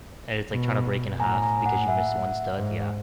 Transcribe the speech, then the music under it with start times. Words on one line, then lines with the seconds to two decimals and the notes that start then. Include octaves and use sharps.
and it's like trying to break in half because you missed one stud, yeah.
0.50 B2
1.19 A2 G#5 A#5
1.42 G#5 A#5
1.66 F#5 G#5
1.88 E5 F#5
2.58 G#2